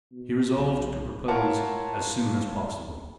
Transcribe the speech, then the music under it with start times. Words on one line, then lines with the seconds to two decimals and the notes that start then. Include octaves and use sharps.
He resolved to propose as soon as possible.
0.12 B2
0.57 B1
1.28 E4 F4 A#4 C#5 F#5 A5